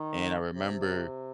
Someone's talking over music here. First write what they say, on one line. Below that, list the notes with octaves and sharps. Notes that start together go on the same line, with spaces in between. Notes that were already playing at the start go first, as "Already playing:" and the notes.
and I remember,
Already playing: D#3
C3